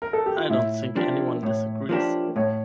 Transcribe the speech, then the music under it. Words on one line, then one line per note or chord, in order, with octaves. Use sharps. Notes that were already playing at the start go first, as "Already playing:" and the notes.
I don't think anyone disagrees.
A#4
A4
G4
F4
A2 E4
F3 A#3 D4 G4
A2 C#5
F3 A#3 D4 G4
A2 C#5